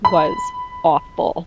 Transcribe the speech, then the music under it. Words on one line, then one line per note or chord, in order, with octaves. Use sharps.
was awful,"
B5